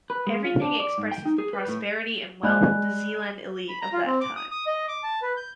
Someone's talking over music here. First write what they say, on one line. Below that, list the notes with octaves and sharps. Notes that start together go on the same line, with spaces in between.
Everything expresses the prosperity and wealth of the Zeeland elite of that time.
B4
G#3
F4
D4
D5
G#2
G5
D#4
G#4
B4
A2
G#3 D5 B5 F#6
B5
A#5
F4
C4
D6
D#6
D#6
D#5
D6
A5
B4
G6